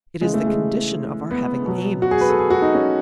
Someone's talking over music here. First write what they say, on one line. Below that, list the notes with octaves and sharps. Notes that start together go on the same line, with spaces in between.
It is the condition of our having aims.
C#3 E3 G#3
A3
G#3
B3
B2 F#3
F#4
G#4
B4
A4
G#4
F#4
D#4
C#4